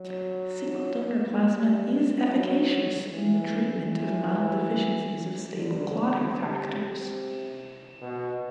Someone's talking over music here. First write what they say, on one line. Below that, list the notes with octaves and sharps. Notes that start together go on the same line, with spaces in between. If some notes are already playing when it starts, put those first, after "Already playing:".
Single-donor plasma is efficacious in the treatment of mild deficiencies of stable clotting factors.
Already playing: F#3
G3
F#3
E3
E3
D3
C3
B2